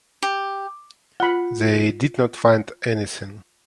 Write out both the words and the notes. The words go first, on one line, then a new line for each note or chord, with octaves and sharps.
They did not find anything.
G4
F4 F#5 B5